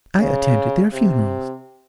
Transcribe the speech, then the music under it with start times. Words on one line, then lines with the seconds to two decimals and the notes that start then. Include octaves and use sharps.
I attended their funerals.
0.19 C#3
0.93 C3